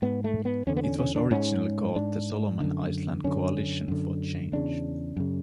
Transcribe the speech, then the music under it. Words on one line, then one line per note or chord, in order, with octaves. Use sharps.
It was originally called the Solomon Islands Coalition for Change.
G#2 B3
A3
B3
E2 D3 C#4
B3
C#4
C#4
D4
G#2 C#4
G#2 D4
F#2 D3
F#2 D3 C#4
F#2 D3
E2 C#3 D4
F#2 C#3